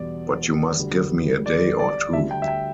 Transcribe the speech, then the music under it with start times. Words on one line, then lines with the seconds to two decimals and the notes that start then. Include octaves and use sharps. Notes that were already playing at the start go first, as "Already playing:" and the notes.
But you must give me a day or two.
Already playing: E2 B2 G3 D5
0.76 D2 D3 G3
1.46 D5
1.79 D5
2.13 D2 D3 G3 E5
2.31 G5
2.42 E5
2.48 G5